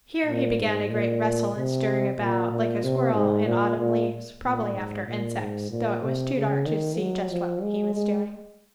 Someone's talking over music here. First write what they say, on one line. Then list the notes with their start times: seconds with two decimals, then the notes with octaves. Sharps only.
Here he began a great rustle and stirring about, like a squirrel in autumn leaves, probably after insects, though it was too dark to see just what he was doing.
0.26 A#2
0.58 G#2
0.90 A#2
1.55 C3
2.19 A#2
2.51 A#2
2.83 C3
3.15 G#2
3.46 A#2
3.78 A#2
4.42 A#2
4.74 G#2
5.06 A#2
5.38 G#2
5.70 A#2
6.02 C3
6.35 C#3
6.67 D#3
6.98 F#3
7.31 F3
7.62 G#3
7.95 G#3